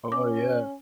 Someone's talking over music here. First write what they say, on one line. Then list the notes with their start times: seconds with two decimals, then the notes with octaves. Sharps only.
Oh, yeah.
0.12 C#4 D6